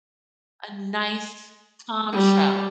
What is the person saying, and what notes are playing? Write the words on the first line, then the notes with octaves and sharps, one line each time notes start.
a nice, calm, show.
G3